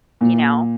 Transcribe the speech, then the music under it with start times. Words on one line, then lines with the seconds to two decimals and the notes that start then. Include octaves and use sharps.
You know?
0.21 A#2